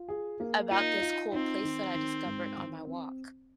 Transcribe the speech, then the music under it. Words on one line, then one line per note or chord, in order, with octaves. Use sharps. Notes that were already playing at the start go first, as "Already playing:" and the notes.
about this cool place that I discovered on my walk.
Already playing: F4
G#4
A#3
D#4 F4
F4
C4 D#4
D#3
D#3
G#2
D#3
C4